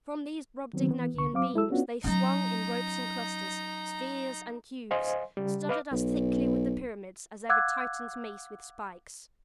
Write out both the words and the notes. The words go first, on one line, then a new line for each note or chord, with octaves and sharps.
From these Brobdignagian beams they swung in ropes and clusters--spheres and cubes studded as thickly with the pyramids as ever Titan's mace with spikes.
D#3 F#3 B3 C4
E3 B3
C2 D3 C#6
F#3 C4 F5 D6
G#3 E4 A4 E6
B3 C#4 D4 F4 F#4
F#3 C#4 D#4 A#5
C5 D#5 F5 G#5 C6
C#3 G3
B4 D#5 F5 D6 F6
B1
F5 F#5 D6 E6 F#6 G#6